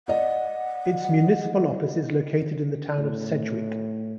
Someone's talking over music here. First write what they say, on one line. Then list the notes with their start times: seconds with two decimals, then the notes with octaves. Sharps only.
Its municipal office is located in the Town of Sedgewick.
0.08 D5 D#5 F#5
2.98 A2